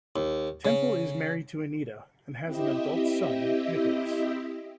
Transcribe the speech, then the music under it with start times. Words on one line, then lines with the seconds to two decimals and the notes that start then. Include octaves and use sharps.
Temple is married to Anita and has an adult son, Nicholas.
0.16 D#2
0.65 C#3
2.45 C4 E4 G4 D#5 E5